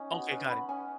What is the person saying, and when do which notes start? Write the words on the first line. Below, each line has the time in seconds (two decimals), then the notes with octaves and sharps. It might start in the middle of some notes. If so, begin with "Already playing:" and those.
Okay, got it.
Already playing: C#4 D#4
0.11 B3 F#4
0.30 C#4 B4
0.50 B3 B5
0.69 C#4 G#5